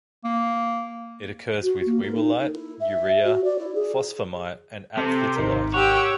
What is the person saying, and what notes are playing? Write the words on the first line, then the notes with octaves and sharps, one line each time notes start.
It occurs with whewellite, urea, phosphammite and aphthitalite.
A#3
F#4
A#3
A#4
D#4
A#4
E4
E5
F#4
D5
E4
G#4
C3 A4 C5
G#1 D#4 A#4
G4 C#5 F#5 G5 E6